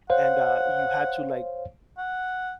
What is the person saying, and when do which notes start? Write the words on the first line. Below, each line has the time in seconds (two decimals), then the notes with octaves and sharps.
and, uh, you had to, like,
0.10 C5 C#5 F5 F#5
1.98 F#5